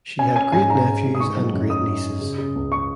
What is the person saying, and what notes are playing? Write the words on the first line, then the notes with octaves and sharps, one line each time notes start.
She had great-nephews and great-nieces.
C#4 G#5
C#4 G#5
G#2 G#5
G#2 A#5
G#3
G#2
D#6
D#4 C#6
F#3
F#2
D#4 D#6
D#4
D#4
C#3
C#3
C#2
C#6